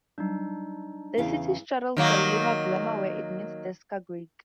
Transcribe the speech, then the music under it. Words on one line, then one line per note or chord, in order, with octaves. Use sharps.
The city straddles the river Glomma where it meets the Skagerrak.
F#3 G3 D4 D#4
E2 C#3 E4 G#4 C#5 F5
D#3 F#3 A#3